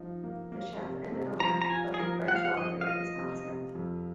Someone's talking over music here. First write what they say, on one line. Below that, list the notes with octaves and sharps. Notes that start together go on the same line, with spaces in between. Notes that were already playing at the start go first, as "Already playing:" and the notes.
The chef and owner of the French Laundry is Thomas Keller.
Already playing: F3 D#4
A#3
A#3
C3
C3
F3 A#5
A#5
F4 G#5
G#4
F3 A#4
F3 F#5
F5
F#5
F3 D#5
F5
F4 D#5
C3
C3
F2